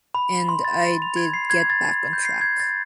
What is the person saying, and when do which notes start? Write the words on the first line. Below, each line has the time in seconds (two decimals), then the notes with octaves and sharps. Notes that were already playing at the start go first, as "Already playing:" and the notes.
And I did get back on track.
0.15 B5
0.49 C6
0.64 A6
1.02 F7
1.16 G#6
1.34 C7
1.50 G#6
1.70 A6
2.13 G6
2.25 C7
2.41 G#6
2.60 A6